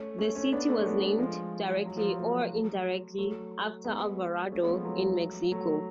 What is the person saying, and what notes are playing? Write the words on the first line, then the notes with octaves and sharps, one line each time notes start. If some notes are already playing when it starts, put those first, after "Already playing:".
The city was named, directly or indirectly, after Alvarado, in Mexico.
Already playing: A3 C#4
A3 C#4
A3 C#4
B3 D4
A3 C#4
A3
G#3 B3
F3 G#3
F#3
F3
F#3
F#3 A3
F#3 A3
G#3 B3
A3 C#4
G#3 B3
F3 G#3
F#3 A3
F#3 A3